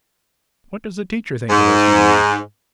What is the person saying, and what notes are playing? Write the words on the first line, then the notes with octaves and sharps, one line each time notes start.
"What does the teacher think of us, you mean?"
G#2